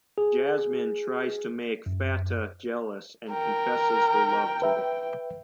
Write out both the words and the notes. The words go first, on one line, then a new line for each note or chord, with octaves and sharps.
Jasmin tries to make Fateh jealous and confesses her love to him.
G#4
F#2
A#4 G5
B4 E5